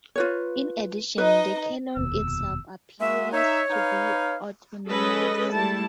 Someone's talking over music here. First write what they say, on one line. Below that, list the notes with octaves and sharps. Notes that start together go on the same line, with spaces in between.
In addition, the cannon itself appears to be autonomous.
F4 B4 C#5
D#4 B4 D#5
F1 D#2 B2 E6
G#3 A#3 F#4 E5
D#4 C#5 E5
D#4 B4 F5
G#3 C#4 G#4 A4 B4 D#5
G3 A3 E4 A5